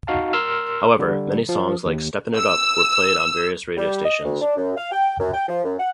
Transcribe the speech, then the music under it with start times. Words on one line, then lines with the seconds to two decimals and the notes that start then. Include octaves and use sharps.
However, many songs like "Steppin' It Up" were played on various radio stations.
0.07 D#4 F#4 F5 A5
0.33 A#4 C6 E6 F6
0.99 D3 G3
1.49 F3
1.86 D#2
2.38 E6
3.77 G3
4.05 D#5
4.24 D2
4.41 D4
4.57 F#2
4.77 F5
4.91 G5
5.20 F#2
5.34 G5
5.48 F3
5.64 F#2
5.79 F#5